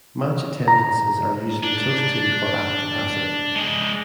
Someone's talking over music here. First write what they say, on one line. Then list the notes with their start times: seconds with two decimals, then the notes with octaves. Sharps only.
Match attendances are usually close to or at capacity.
0.68 A#5
1.63 D4
3.56 G#3 D5